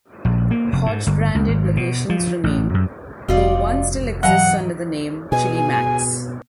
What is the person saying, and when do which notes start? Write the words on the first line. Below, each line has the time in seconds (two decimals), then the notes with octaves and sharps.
Hodge-branded locations remain, though one still exists under the name Chili Mac's.
0.25 A#1
0.51 A#3
0.73 F1
0.86 G#2
1.07 G1
1.35 C#2
1.48 G#1
1.77 B2
2.10 F3
2.44 A1
2.74 F#2
3.29 F1 D#4 F4 F#4 D5
4.23 G#2 E3 F#3 D#5 F#5 A#5
5.32 B2 G#4 G#5